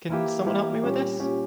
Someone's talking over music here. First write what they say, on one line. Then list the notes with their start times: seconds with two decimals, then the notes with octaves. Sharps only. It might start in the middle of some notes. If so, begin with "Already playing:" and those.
Can someone help me with this?
0.09 E3 A#3 E4 G4
0.46 E3 A#3 E4 G4
0.83 A#2 G3 C#4 G4
1.19 A#2 G3 C#4 G4